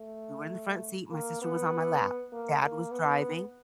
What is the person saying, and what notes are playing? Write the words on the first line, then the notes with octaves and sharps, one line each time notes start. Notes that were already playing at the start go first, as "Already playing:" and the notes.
we were in the front seat, my sister was on my lap. Dad was driving,
Already playing: A3
A#3
B3
A#3
A#3
B3